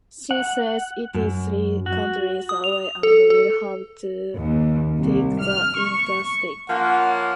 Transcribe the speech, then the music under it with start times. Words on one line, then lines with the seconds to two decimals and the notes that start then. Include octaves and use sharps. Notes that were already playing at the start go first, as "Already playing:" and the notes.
She says it is three counties away and will have to take the interstate.
0.31 F#5
1.14 F#2
1.86 F#4
2.49 D#6
2.64 F7
3.03 A4
3.30 A4
4.36 D#2
5.00 C2
5.41 F6
5.77 C#6
6.70 F3 A#3 C#4 F#5